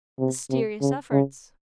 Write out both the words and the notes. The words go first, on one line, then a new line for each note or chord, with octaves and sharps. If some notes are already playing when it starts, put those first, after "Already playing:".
Mysterious efforts!
C3
C3
C#3
C#3